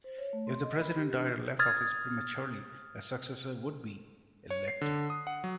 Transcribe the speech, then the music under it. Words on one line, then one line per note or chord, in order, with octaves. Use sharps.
If the president died or left office prematurely a successor would be elected.
C5
C#5
A3
C6
D#5
B5
G4
D4
D#6 F6 G#6 A6
C#5
C7
D3
D#6
F#5
F#3